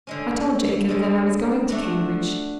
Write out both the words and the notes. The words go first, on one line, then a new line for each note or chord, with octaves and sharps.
I told Jacob that I was going to Cambridge.
D3 G#3 C#4
D3 G#3 C#4
A3 D4 F#4